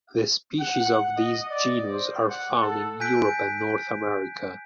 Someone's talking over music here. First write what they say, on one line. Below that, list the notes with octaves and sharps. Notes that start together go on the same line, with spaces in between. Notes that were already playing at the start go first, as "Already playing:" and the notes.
The species of this genus are found in Europe and North America.
F#5
D#5
D5
C5
F#5
A4
G#5 F#6 G6 B6 D7